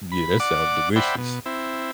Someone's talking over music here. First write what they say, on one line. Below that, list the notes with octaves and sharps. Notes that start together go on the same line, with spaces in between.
Yeah, that sounds delicious
B5
D5 F#5 D6
C5 D5 E5 F#5 G5 B5
B2
C4 E4